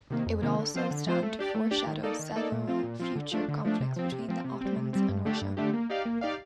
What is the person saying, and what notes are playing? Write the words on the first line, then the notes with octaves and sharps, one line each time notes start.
It would also stand to foreshadow several future conflicts between the Ottomans and Russia.
C3 D#3 A#3
F2
C3 D#3 A#3
D3
F3 C4 F4 C5
D3
F3 C4 F4 C5
A3
D4 G4 D5
A3
D4 G4 D5
D#3
A#3 D#4 A4 D5
D#3
A#3 D#4 A4 D5
A#2
F3 C4 F4
A#2
F3 C4 F4
D3
F3 A3 D4
D3
F3 A3 D4
C3
F3 C4
C3
F3 C4
C3
G3 C4
C3
G3 C4
G2
D3 A3 D4 G4
G2
D3 A3 D4 G4
A#3
D#4 G4 D5 F5
A#3
D#4 G4 D5 F5